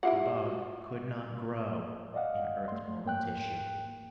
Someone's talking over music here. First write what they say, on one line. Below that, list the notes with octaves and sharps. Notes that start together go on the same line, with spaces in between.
The bug could not grow in Earth-normal tissue.
E4 F4 G4 E5 F#5
F#4
D5 D#5 F5 F#5
A3 C6
G#2 A#3 G5 F#6